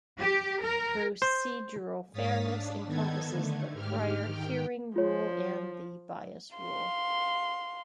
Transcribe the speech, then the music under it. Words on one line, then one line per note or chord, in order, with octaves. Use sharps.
Procedural fairness encompasses the prior hearing rule and the bias rule.
G4
A#4
C5
G#2 C#5 F5 D#6 A6 B6
D4
D#3 B3 D#4 A4 G#6
D3 A3
G#2 G4 F6
D#3 G5
F3 F4 C#5
F5 C6